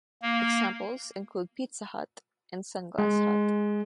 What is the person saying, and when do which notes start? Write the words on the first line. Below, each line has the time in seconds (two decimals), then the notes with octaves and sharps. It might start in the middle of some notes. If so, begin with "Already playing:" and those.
Examples include Pizza Hut and Sunglass Hut.
0.22 A#3
2.98 G#3